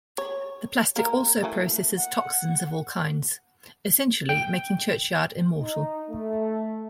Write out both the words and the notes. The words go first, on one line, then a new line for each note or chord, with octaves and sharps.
The plastic also processes toxins of all kinds, essentially making Churchyard immortal.
C#5
A#3 A#4
E3 A3 A#3
F#5
G5
D#4
A3